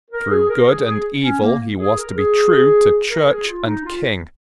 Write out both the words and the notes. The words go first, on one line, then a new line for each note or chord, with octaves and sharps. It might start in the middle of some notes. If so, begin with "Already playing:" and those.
Through good and evil he was to be true to Church and King.
A#4
G#4
A#4
G#4
G#4
C#4
A#3
G#4
A#4
G#4
A#4
G#4
F4
D#4
F4